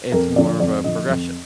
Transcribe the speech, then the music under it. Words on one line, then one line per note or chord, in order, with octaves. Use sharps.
It's more of a progression.
F2 A#4
D3 F3 D5
F2 D5
D3 F3 D#5
F2